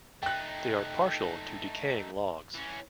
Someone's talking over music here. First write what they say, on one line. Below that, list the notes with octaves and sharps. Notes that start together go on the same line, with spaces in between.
They are partial to decaying logs.
A3 D#4 G5 F#6
E3 C#4